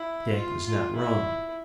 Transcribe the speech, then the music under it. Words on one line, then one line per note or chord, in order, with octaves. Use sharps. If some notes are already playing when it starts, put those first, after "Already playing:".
Dick was not wrong.
Already playing: E4
F4
F4
E4